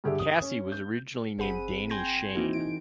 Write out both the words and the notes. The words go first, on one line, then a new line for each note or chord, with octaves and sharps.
Cassie was originally named "Danni Shayne".
G2 D3 G4 G#4 D5 E5
D#6
C#4
G6
G1 C4 G#4 F#5 B5 D#7
G5 G#5 C6 G6 G#6 A#6
E3 A#3 C4 D#4 E4 F#4
D#4 D7